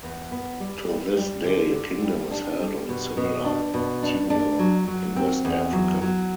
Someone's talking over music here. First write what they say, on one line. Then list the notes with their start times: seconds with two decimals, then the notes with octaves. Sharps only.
To this day a kingdom is held on a similar tenure in west Africa.
0.03 E2
0.31 B3
0.60 G3
0.89 G3
1.17 G3
1.45 D3
1.74 D3
2.03 G3
2.31 D4
2.60 G3
2.89 B2
3.17 B2
3.45 D4
3.74 B2
4.03 D4
4.30 D4
4.59 F#3
4.87 F#3
5.16 C4
5.45 E2
5.72 F#3
6.02 F#3